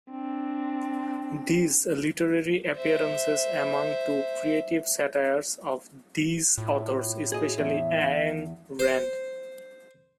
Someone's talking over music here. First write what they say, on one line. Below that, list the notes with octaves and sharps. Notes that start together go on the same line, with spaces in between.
These literary appearances amount to creative satires of these authors, especially Ayn Rand.
C4 D4
C5 E5
A2 F4
F#4 G#4 D#5
E2 E5
C5